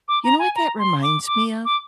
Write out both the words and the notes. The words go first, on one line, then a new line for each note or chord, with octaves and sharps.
You know what that reminds me of?
D6
A#5
G#5
A#5
C6
D6
D6
D6